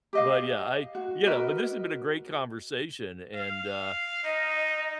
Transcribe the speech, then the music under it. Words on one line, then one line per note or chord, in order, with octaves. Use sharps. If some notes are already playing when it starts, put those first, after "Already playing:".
But, yeah, I, you know, but, this has been a great conversation and, uh,
G4 D#5 F5
F#4
F#4 A#4 B4 D#5
F5
D#4 D#5